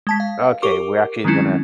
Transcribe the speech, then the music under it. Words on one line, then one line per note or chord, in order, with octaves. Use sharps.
Okay, we're actually gonna
G#3 A5 B6
F5
G4 A#4 C#6 D6
D#3 F#3 G#3 C4 C#4 E4